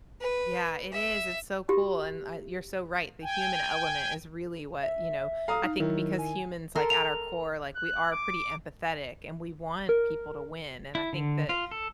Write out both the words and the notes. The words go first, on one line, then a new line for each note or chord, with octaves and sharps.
Yeah, it is. It's so cool, and I you're so right. The human element is really what you know, I think because humans, like, at our core, like, we are pretty empathetic, and we want people to win, and I think that
B4
E5
F#4 G4
G5 G#5
E5
A4 F5 A#5 D#6
D#4
D#3 F#3 E4
G#5
A4 A#4 C6
F7
F#6
D6
A#4
E4
D3
F4
A4